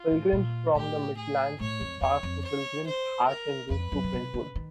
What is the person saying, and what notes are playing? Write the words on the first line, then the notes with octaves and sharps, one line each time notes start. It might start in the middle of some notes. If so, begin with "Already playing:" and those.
Pilgrims from the Midlands would pass through Pilgrims Hatch en route to Brentwood.
Already playing: F4
A2
A#2
A2 G4
G#4
A2 C#5
F2
E2 C#5
F2
C#5
C5
A#4
F2 B4
F#2
C#3
C3
C#3
D#3